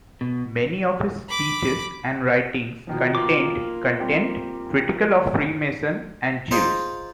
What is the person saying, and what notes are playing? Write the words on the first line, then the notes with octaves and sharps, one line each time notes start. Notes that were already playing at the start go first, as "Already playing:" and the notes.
Many of his speeches and writings contained content critical of Freemasons and Jews.
B2
B5 D6
B2 D#3 F3
A#3 F4 D6
G3 C4 G4
F4 G#4 C5 D#5 A#5